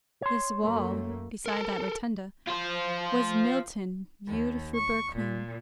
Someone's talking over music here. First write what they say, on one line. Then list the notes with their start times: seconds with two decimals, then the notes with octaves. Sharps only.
This wall, beside that rotunda, was Milton viewed through Berquin.
0.22 C#5 C6
0.64 F#2 A3 A#3
1.46 A4 A#4
2.48 F4 C5
4.26 D#2
4.73 C#6
5.15 A#2